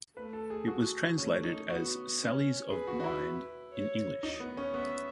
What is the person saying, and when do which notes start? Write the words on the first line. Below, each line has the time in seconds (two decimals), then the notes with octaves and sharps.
It was translated as "Sallies of Mind" in English.
0.16 A3 B4
0.33 A4
0.50 G#4
0.67 F#4
1.18 A3 C#4
1.44 D#4
1.69 B3 F#4
2.20 C#4
2.70 G#4 B4
2.87 F#4
3.00 F#4
3.04 E4
3.72 C#5
4.23 D#4 D#5
4.40 B3
4.57 C#4
4.74 B3 E5